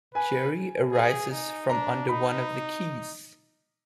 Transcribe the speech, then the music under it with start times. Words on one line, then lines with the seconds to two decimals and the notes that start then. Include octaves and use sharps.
Jerry arises from under one of the keys.
0.14 B4 G#5
0.92 G#4
1.31 D#4
1.69 D4 A#5
2.09 D#4 B5